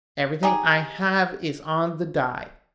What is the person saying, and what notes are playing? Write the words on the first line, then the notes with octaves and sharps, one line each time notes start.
Everything I have is on the die.
D#4 G4 G#4